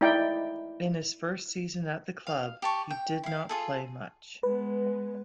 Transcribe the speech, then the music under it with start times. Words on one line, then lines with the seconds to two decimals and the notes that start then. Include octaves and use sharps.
In his first season at the club he did not play much.
0.01 D#4 E4 D5 G5
2.27 F5
2.62 G4 A5 C#6
2.90 G5
3.23 E4 F5
3.49 F4 G#4 A4
4.43 G#3 B3 B4